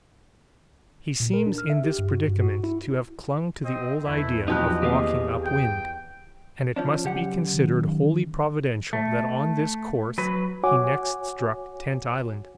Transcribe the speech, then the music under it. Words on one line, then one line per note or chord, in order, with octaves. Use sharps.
He seems in this predicament to have clung to the old idea of walking up wind, and it must be considered wholly providential that on this course he next struck Tent Island.
A#2
A#4
D4
F6
E5
G4
G2
F#4
G2
F#4
E4
C4 D#5
E2 A3 E4
F2 F3 F#3 D#4 G4 D#5 F#6
D#2 C4 G4 G#4 F5
G5
F3 C#4 D4
F#2 C#3 G4 F#5
D#3
A3
F#3 B4
F#4 C#5 F#5 G#5 D6